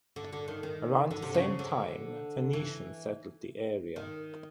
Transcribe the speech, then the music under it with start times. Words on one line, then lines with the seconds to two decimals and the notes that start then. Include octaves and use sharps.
Around the same time, Phoenicians settled the area.
0.16 D3
0.33 D3
0.48 D#3
0.63 D#3
1.11 D3
1.22 C3
1.34 C#3
1.59 D3
2.53 E3
3.96 D#3